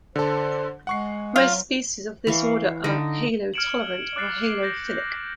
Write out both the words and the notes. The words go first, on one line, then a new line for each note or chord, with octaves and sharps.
Most species of this order are halotolerant or halophilic.
D3 A4 C5
G#3 F#5 C#6 C7
F#3 F4
E3 F5 C#6
D3 D#4
F6 G#6 C#7 D7 E7 F#7
D6 F#6 A6 C7 C#7
G6 A6 A#6 C7